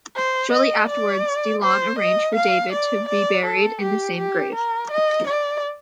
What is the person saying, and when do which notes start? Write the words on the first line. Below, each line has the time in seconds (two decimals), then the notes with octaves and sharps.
Shortly afterwards, Delon arranged for David to be buried in the same grave.
0.16 C5
0.52 D#5
0.89 D5
1.63 C5
1.99 D#5
2.35 F5
2.73 D5
3.09 D5
3.46 A4
3.82 G4
4.18 G4
4.55 A#4
4.91 D#5
5.28 D5